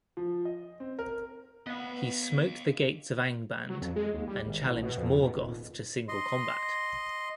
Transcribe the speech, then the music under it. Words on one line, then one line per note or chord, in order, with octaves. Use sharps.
He smote the gates of Angband and challenged Morgoth to single combat.
F3
D#5
C4
A#4
B3 D#5 F5
F#3
F2
G#3
D#2
G3
G#1
A1
B2
F2
B2
D#1
D#5 C6